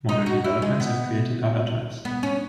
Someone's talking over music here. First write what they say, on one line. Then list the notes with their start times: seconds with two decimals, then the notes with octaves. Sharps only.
Modern developments have created other types.
0.09 D#4
0.26 F#4
0.44 E4
0.62 G#3
0.80 B3
2.05 B3
2.23 C#4